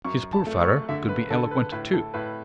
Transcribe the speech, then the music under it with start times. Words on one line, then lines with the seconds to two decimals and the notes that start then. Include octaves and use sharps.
His poor father could be eloquent, too.
0.05 F#2 C#6
0.33 A5
0.47 A3
0.61 C#6
0.89 D3 E5
1.09 B4
1.30 D3 A4
1.51 B4
1.72 A2 B4
1.93 A4
2.14 A2 B4